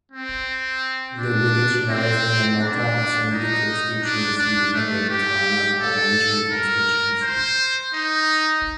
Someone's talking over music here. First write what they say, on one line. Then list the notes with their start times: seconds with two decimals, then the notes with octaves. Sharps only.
The village lies in the Nokha assembly constituency and the Bikaner parliamentary constituency.
0.12 C4
1.18 D4
1.90 C4
2.61 D4
3.32 D#4
4.03 D4
4.38 D4
4.74 A3
5.09 G4
5.81 A4
6.52 A#4
7.22 C5
7.94 D#4